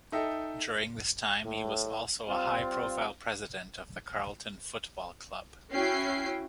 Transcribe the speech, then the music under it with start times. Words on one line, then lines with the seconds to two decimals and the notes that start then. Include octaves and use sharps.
During this time he was also a high-profile President of the Carlton Football Club.
0.12 D#4 A4 D#5 E5 G5
1.45 A2
2.28 G3 C4 F4
5.73 C#4 E4 F#4 G5 C7